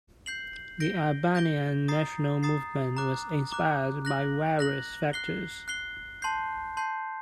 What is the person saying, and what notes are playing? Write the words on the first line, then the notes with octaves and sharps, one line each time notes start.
The Albanian national movement was inspired by various factors.
G6 C7 F#7
G6 A#6 D7 G7
G6 A#6 D7 G7
A#5 D#6 A6 C7
A#5 D#6 A6 C7
A#5 D6 F#6
A#5 D6 F#6
F#6 A#6 F#7
F#6 A#6 F#7
F#6 C7 G7
F#6 C7 G7
A5 C6 G6 C7
A5 C6 G6 C7